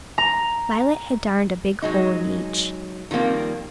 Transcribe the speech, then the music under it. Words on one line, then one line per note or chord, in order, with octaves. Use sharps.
Violet had darned a big hole in each.
A#5
F#3 G#3 D#4
D#3 F3 G3 A#3 C4